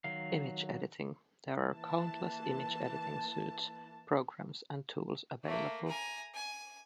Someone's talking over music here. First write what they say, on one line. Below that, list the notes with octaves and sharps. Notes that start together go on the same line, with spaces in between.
Image Editing: There are countless image editing suites, programs and tools available.
D#3 F#3 F5
E3 A#3 A5
A3 A#3
G#5 A#5
G#5